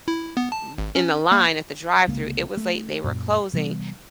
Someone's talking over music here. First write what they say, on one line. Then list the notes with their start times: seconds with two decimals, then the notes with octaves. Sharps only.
th in the line at the drive-thru, it was late, they were closing,
0.08 E4
0.37 B3
0.52 A5
0.78 G#1
0.95 C#4
1.32 A#3
2.07 C2 C#3 G#3 A#3
2.57 A3
3.04 F#2 A#2
3.53 C3 E3 G3 B3